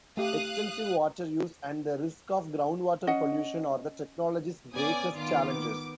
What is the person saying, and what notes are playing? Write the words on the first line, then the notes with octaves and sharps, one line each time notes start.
Extensive water use and the risk of groundwater pollution are the technology's greatest challenges.
A3 G4 F5 D#6 F#6
C#4 D#5 F#5
B3 C#4 D5 G#5 D#6
D#3 B3 F4 D6
D6